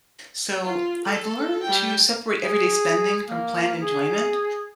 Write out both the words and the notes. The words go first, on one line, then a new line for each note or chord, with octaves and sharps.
So, I've learned to separate everyday spending from planned enjoyment.
F4
A4
G3 G5
G#4
A#3
G#4